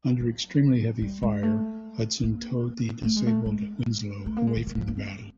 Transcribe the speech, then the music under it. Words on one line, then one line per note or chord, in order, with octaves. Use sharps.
Under extremely heavy fire, "Hudson" towed the disabled "Winslow" away from the battle.
F#3
G3
G#3
A3
A#3
A3
G#3
A3
G#3
A3
A#3
G#3
D#3
D#3
F3
A#3
C4
F#3